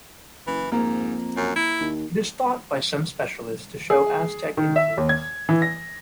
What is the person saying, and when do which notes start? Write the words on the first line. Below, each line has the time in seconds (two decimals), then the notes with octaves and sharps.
It is thought by some specialists to show Aztec influence.
0.47 F#1 E3
0.72 F2 G#2 A#3
1.37 F#2
1.56 E4
1.80 D#2
3.90 G#4
4.57 D#3
4.76 E5
4.97 D#2
5.09 G#6
5.49 E3
5.62 A#6